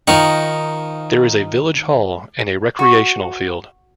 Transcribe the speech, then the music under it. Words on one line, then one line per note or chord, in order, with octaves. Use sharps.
There is a village hall and a recreational field.
D#3 F3 D#4 A#4 C#6
F#4